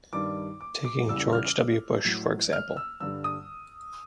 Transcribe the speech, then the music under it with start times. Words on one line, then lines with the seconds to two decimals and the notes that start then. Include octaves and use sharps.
Taking George W. Bush, for example.
0.13 G2 D#3 G3 D6
0.61 D6
0.84 D6
1.08 E2 C#3 E3 G3 E6
1.33 F6
2.05 A2 F#3
2.53 F6
2.77 E6
3.00 G2 D3 G3 E6
3.24 D#6